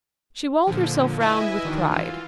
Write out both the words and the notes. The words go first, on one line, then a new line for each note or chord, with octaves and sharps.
She walled herself round with pride.
A#2 D3 F3
E4 B4 D#5 E5 G#5
D#3 D4 F#4
E3 F4